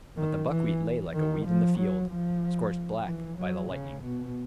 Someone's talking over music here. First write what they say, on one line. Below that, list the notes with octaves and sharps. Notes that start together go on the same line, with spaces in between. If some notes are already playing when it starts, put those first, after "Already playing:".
But the buckwheat lay like a weed in the field, scorched black by the lightning.
D#3
E3
D#3
F3
F#3
F3
E3
F#3
C#3
B2